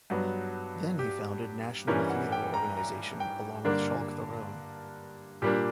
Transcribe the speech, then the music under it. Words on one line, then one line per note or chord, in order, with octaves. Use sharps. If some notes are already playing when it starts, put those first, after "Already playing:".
Then he founded National Theater Organization along with Schalk Theron.
G2 F#3 B3
G4
G2 E3 G3 C#4 A#4
F#5
G5
A#5
A#5
G5
G2 D3 A#3 D4 A#4
A#2 G3 A#3 D4 G4